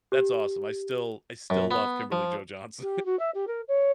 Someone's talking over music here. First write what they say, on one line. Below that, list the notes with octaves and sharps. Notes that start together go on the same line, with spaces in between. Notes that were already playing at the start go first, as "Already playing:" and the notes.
that's awesome. I still I still love Kimberly Jo Johnson,
G4
F#2
B3
F3
G4
F#4
E5
G4
A#4
C#5